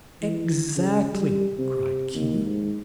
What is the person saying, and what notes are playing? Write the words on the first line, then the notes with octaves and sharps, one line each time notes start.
"Exactly!" cried Kinney.
E3
C#3
G3
C3
D#2
G#2